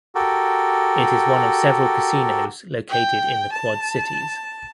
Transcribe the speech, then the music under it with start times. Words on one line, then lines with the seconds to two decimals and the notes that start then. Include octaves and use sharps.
It is one of several casinos located in the Quad Cities.
0.15 F#4 G4 A4 A#4
2.89 G5
3.53 A5